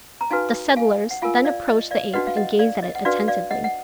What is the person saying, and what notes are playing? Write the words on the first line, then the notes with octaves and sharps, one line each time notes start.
The settlers then approached the ape and gazed at it attentively.
A#5
D#4 F#4 B4 F5 G#5
F5 G#5
F#5
F4 A#4 F5 G#5
D5 F5
D#5
D5 F5
D4 F#4 B4 D#5 F#5
F5
D#5 F#5
D5 F5
D#5
F#5
D4 F#4 B4 D5 F5
D5 F5
D#5 F#5
F#5